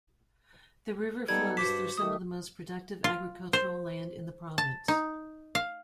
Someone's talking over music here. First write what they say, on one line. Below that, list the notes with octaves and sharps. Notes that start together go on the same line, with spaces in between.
The river flows through some of the most productive agricultural land in the province.
G3 B3 D#4 A4 G#6
G2 F#4 C5 A5 D6 B6
D#3 A3 D#6
F4
C5
A5
D#4
F5